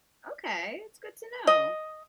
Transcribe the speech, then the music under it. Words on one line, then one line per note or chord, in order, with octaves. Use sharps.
Okay. It's good to know.
D#5